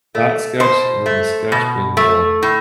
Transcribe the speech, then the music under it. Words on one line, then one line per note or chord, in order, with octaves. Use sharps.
That sketch and then the sketch when, um,
A3
B2 C5
A3
B2
A3
A2